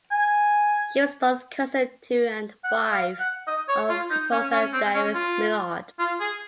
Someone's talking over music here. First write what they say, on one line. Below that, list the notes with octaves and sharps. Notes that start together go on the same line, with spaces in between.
She was both cousin to and wife of composer Darius Milhaud.
G#5
F#5
F5
F#5
D#5
C#5
F4
D#4
C#4
C#4
C4
C#4
F4
F4
G#4